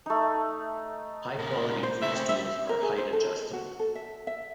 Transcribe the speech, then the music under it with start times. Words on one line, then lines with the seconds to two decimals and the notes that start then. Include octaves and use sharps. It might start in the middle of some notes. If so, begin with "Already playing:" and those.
High quality footstools are height-adjustable.
0.06 A3 D#4
1.38 A#2 C#3 A#4
1.83 C5
2.02 C#3 A3 E5
2.15 C4
2.29 G3 E5
2.69 A#4
2.83 G#4
2.98 C5
3.13 A4
3.53 F#4
3.79 A4
3.95 E5
4.27 E5